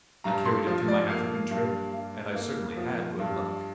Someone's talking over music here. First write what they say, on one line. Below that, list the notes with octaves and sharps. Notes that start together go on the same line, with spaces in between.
I carried it through my African trip; and I certainly had good luck.
G2 A#5
C6
F3
D5
A#3 F5
G2
G2
A#3
F3
G2